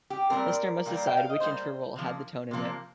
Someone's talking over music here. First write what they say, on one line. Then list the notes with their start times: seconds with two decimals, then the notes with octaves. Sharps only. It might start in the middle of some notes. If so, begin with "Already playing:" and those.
Listener must decide which interval had the tone in it.
0.10 G4
0.30 A#2 G3 C4 A#4
0.86 A#2 G3 A#3
1.07 G5
1.18 F5
1.29 D#5
1.40 A#2 G3 A#3 C5
1.96 C3 F3 A#3
2.51 C3 F3 A#3